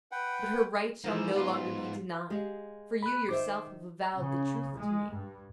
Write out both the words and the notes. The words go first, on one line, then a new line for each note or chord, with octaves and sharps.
But her right shall no longer be denied; for you yourself have avowed the truth to me.
B4 F#5 G5
G#2 E3 F3 A#3
B3 F4
G#3 G4 F5
B5 F#6
D#3 C5 E5 D6
C#3
G#3
G2